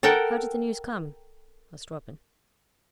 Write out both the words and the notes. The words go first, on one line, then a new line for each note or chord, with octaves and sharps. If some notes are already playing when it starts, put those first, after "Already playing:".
"How did the news come?" asked Robin.
A4 A#4 F#5 G5